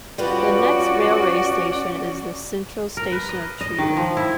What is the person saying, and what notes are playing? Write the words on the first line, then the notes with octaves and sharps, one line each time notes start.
The next railway station is the central station of Trier.
G3 C#4 F4 F#4 B4 D5
A#4
B4
D#5
D#5
D#3
F3
E4